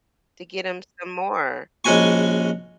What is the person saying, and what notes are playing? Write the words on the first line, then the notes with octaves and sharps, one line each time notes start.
to get 'em some more.
A#1 G#3 C#4 F#4 G#5 C#6